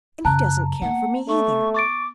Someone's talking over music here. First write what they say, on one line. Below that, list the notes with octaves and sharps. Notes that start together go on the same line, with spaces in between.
And he doesn't care for me either.
F#2 C#3 A5 A#5 F#6
A#3 B3 F#5
A3 C#6
C#6 D6 A6 D7